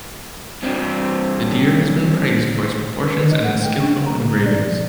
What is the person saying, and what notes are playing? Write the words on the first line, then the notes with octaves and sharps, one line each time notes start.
The deer has been praised for its proportions and its skillful engravings.
G2 C4
B4
D#5
F#5
G5
D4
A#5
A#2
D5
F3